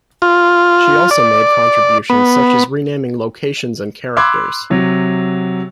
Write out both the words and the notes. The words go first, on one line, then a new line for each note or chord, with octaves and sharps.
She also made contributions such as renaming locations and characters.
F4
D5
B3
B5 C6 D6 E6 F#6 G#6
C3 F#3